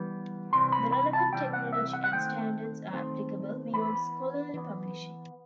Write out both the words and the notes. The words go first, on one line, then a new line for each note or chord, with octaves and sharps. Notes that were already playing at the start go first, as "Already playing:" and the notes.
The relevant technology and standards are applicable beyond scholarly publishing.
Already playing: E3 G3 B3
C3 E3 G3 C4 C6
B5
B5
A5
C3 E3 G3 C4 G5
F#5
E5
F#5
F#5
D#3 A3 C4 G5
D#3 A3 C4
E3 B3 B5
E3 B3